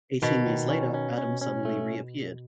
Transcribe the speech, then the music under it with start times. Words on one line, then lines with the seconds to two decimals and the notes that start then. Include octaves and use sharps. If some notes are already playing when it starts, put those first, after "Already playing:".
Eighteen years later, Adam suddenly reappeared.
0.22 B2 D#3
0.47 D#3
0.70 C#4
0.94 C#4
1.18 C#4
1.41 C#4
1.65 A3